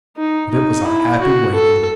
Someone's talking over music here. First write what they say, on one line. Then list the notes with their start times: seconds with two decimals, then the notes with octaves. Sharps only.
But it was a happy waiting.
0.17 D#4
0.51 D#4
0.85 E4
1.20 F#4
1.54 A4